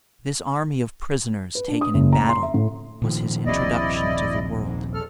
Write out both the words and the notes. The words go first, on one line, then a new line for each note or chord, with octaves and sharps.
This army of prisoners taken in battle was his introduction to the world.
B4
D4
D#6
F#1
A#5
C6
E5
A2
A#2 D#3 F3
D#1 A#1 C3 E4 D5 D#5
G#2
E2 A4 F6